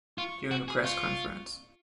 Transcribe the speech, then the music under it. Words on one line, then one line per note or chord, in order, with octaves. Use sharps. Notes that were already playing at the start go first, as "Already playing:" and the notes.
During a press conference.
F4 C#6
F#4
G#4
F4 C#6